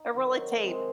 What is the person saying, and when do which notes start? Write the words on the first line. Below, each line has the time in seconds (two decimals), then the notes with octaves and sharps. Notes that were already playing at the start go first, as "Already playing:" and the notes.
A roll of tape.
Already playing: D#4
0.14 D#3 F#3 C4 F#4
0.64 C3 D#3 G#3 C4